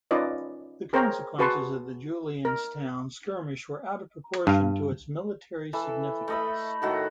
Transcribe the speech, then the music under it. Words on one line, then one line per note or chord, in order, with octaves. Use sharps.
The consequences of the Julianstown skirmish were out of proportion to its military significance.
C#4 D#4 F4 B4 D5 D#5
G#4 A#4 C5 C#5 G5 A#5
F#4 G#4 B4 A5 C6 C#6
A#4
G2 F5
E3 A4
A3 D#5 B5
A2 D#3 F#4 A4